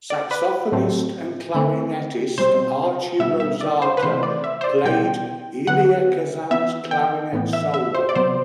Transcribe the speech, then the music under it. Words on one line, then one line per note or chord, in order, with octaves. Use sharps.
Saxophonist and clarinetist Archie Rosate played Elia Kazan's clarinet solos.
D5
B4
A2 F#3 A3 C4
D3 A3 C4
B2 G3 C4 C5
B2 G3 B3 E5
E5
D5
C5
B4
C3 E3 A3 C4 C5
D5
E5
C5
D5
B2 G3 B3 G5
D3 F#3 B3 F#5
E3 B3 E5
G5
A2 E3 B3
E5
E5
C5
D5
C3 F#3 B3 C5